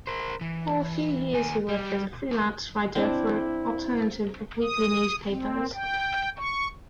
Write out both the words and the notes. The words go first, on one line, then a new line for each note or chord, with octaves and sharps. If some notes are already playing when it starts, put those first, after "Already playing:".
For a few years he worked as a freelance writer for alternative weekly newspapers.
A#4 C5
E3
D#2 G#5
G3
C4 D4 E4
D#6
C4
G5
C#6